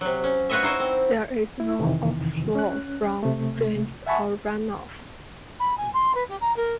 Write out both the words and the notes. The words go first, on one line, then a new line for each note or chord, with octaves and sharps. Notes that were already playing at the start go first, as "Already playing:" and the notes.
There is no outflow from streams or runoff.
C3 F#3
C#4
F4 F#4 B4 C#5 D#5 E5
D#4 E4 C5 C#5 E5
C4
E4
F2 C3 D#3 E3
C#4 F#6
C3 A3
E5 F#5 G#5 A5 B5 C#6
B5
G#5
C6
B4
G4
A#5
A#4